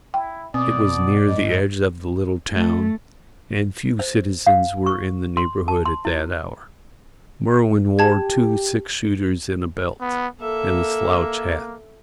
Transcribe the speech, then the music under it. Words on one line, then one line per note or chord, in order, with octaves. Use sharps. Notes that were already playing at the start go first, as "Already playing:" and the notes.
It was near the edge of the little town, and few citizens were in the neighbourhood at that hour. Merwin wore two six-shooters in a belt, and a slouch hat.
E4 G5
B2 C4 D5 D#6
G#2 D#5
A3
C5
F5
C#6
C6
A5
C6
E4
G4 A5 G#6
B3
A#3 A4 E5